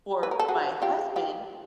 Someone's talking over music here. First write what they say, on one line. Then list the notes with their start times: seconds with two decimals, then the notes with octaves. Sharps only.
for my husband,
0.23 B4
0.31 A#4
0.39 A4
0.48 F#4 G#4
0.82 F4 G4
1.16 F4 G4